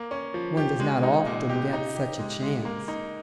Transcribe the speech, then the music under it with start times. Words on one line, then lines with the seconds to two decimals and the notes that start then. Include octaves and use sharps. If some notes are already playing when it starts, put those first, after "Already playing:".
One does not often get such a chance.
Already playing: A#3
0.11 C#4
0.34 F3
0.57 G4
0.80 G#3
1.03 D#4
1.26 A#2
1.50 G4
1.73 D#4
1.96 G4
2.19 G#3
2.42 G#3
2.65 A#3
2.88 D#4